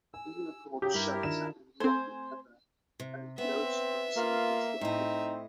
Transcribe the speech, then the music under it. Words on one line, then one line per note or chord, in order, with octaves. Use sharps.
Inner Port Shelter and Rocky Harbour are in close proximity to the island.
G#5 E6
C#3 F#3 G4 G5 D#6
G2 E4 A#4
D#3 D4 F4 E7
A3 C4 C5 G#5
C3
B3 C4 E5
A#3 F4
A2 C4 D#4 D#5